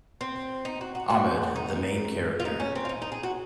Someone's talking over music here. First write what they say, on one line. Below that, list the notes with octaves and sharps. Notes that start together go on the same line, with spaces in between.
Ahmed: The main character.
C4
D#4
F#4
F#4
F#4
D#4
F4
D#4
C#4
C4
F4
D#4
D#4
G#4
F#4